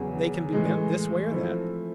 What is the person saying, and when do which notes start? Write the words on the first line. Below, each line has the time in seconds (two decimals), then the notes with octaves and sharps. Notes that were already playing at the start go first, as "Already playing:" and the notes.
They can be bent this way or that.
Already playing: E2 C#3 F#3
0.52 A2 E3 G#3
1.31 F3 A3 C4 E4